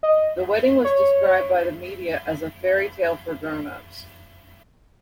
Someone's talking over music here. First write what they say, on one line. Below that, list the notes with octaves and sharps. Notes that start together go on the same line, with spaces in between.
The wedding was described by the media as a A Fairy Tale for Grown-Ups.
D#5
C#5